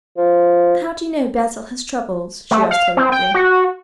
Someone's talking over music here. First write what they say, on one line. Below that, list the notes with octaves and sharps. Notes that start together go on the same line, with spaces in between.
"How do you know Basil has troubles?" she asked hurriedly.
F3
A3
F5
C4
G5
F#4